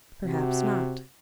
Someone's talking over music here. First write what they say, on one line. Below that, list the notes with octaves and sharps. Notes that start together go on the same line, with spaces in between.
"Perhaps not."
C3 F#4